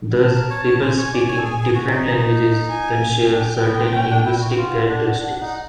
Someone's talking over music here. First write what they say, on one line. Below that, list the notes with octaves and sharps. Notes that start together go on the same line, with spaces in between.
Thus people speaking different languages can share certain linguistic characteristics.
A5
A#4
C#5
C#5
C5 G#5
C#5
D5
C#5
A4
G#4
G#4
F#4
D#4
G#5
D4 G5
B3
C4
C#4
D4
E4
F#4
F4 F#5
D4
D4
D#4